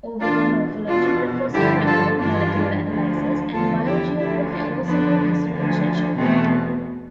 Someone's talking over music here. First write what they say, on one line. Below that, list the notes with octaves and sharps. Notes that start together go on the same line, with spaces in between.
Overall morphology, the fossil record, molecular analyses, and biogeography all support this relationship.
E2 B2 D4 F4
E2 B2 D4 F4
G2 D3 F3 E4 G4
F4 A4
G2 E3 D4 F4
D2 D3 F3
E2 D3 F3 F4 A4
E4 G4
D2 D3 F3 E4 G4
D4 F4
F2 D3 F3 B3 D4
D2 D3 F3
E2 B2 A3 C4